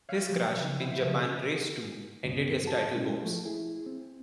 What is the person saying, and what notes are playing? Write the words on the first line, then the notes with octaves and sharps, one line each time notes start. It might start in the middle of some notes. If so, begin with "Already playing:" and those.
His crash in Japan race two ended his title hopes.
C#5 F5 F6 F#6
F3 F#3
C#3 B3 D#4
E4 C5 F#5
C#3 F3 A3 A#3
D2 G2 C#3 B3
F#2 F#4 A5
B2 G#3 C#4 E4
F3 A3
E4 G#4
C4